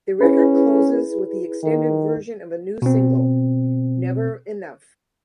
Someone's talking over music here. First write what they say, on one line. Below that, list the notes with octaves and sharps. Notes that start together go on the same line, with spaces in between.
The record closes with the extended version of a new single, "Never Enough".
C#4 E4 G#4 B4
D#3
B2 C4